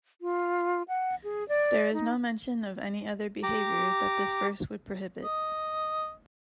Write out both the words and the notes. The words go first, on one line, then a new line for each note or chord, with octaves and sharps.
There is no mention of any other behavior that this verse would prohibit.
F4
F#5
G#4
D5
D#4
G4 A#5 D6
D#5